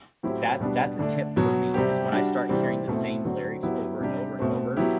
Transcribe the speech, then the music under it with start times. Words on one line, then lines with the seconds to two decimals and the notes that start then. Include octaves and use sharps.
that that's a tip for me is when I start hearing the same lyrics over and over and over,
0.23 A2 F#3 C4 E4 G4
0.60 B2 G3 B3 D4
0.99 D3 A3 D4
1.36 B2 F#3 B3
1.74 C3 G3 C4 G4
2.11 G3 D4 F#4
2.49 C3 E3 G3 C4
2.88 B2 A3 C4 E4
3.25 D3 F#3 C4 F#4
3.63 F#3 B3 E4 G4
4.01 C3 G3 D4 G4
4.39 B2 A3 C4
4.77 F#3 B3 E4 G4